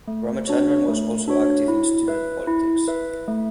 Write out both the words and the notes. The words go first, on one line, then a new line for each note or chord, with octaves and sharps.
Ramachandran was also active in student politics.
A3
D4 F#4 C#5
A3
D4 F#4 C#5
E4
B4 E5
E4
B4 E5
A3